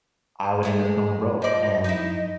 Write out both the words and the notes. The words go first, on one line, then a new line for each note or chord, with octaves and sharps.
I would end up going broke, and,
G#3 A3
F3 D5 D#5
D#4 E4 D#5